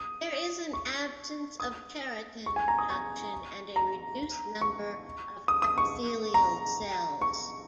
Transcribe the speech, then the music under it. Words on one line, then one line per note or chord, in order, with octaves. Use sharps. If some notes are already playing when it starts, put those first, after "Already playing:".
There is an absence of keratin production and a reduced number of epithelial cells.
Already playing: D#6
C#6
D#6
C#6
G#5
A#5
D#6
C#6
A#5
C#6
D#6
D#6
C#6
A#5
C#6